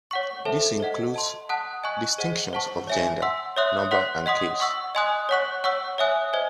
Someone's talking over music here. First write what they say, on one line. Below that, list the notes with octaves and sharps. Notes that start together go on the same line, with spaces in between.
This includes distinctions of gender, number and case.
C#5 F#5 C#6
A4 C5 E5 A5
C5 D#5 F#5
D#5 A5 C6
F#5 A5 D#6 F#6
D#5 G#5 C#6 F#6
G#4 C5 D#5 F#5
C5 F#5 A5 C#6
C#5 E5 G#5
F#5 C6 E6
C#5 E5 C6 D#6 F#6
C#5 F#5 C6 F#6
D#5 F#5 C6 D#6
F#5 C#6 E6
D#5 G#5 C6 D#6 F#6
C#5 F#5 C#6 F#6
C#5 F#5 C#6 E6
C#5 E5 G#5 D#6 F#6
C5 D#5 G#5